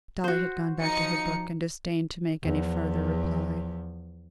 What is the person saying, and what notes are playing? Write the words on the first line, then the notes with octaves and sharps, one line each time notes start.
Dolly had gone back to her book, and disdained to make any farther reply.
F#4 C5
F3 D#4 C#7
E2 F3